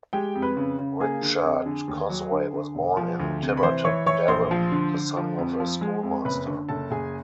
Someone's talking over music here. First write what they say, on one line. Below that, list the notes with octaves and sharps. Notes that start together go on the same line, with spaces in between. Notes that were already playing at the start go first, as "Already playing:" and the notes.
Richard Cosway was born in Tiverton, Devon, the son of a schoolmaster.
G#3 G4 G5
F2
B4 B5
C#3
C#3
A#3 G#4 G#5
D3
F2
D3
D#2
F#3
D3
D3
E1
F3
D2
C3
B5
E3 C5 C6
E3 C#5 C#6
E3 C#5 C#6
A#1 C5 C6
F3
D3
D3
F3
F2
F3
G#3
F2
F#1 B4 B5
D3
F#1 A4 A5
F#1 G#4 G#5